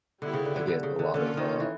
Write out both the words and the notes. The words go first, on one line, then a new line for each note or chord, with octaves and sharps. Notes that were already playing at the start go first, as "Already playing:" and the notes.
I get a lot of, uh,
D3 G3 B3 E4 G4
C#3
D3
D3
D3
C#3
D3
D3 A#3 C#4 F4 A4
D#3
E3